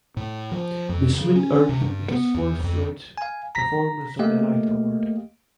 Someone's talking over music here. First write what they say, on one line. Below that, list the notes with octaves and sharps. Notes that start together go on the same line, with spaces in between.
This win earned him his fourth straight "Performance of the Night" award.
A2
F3
F2
C#3
C#4
C3
G2
B3
E2
F2
F5 G#5
A#5 A#6 B6
A3 A#3 G4 D#5 F5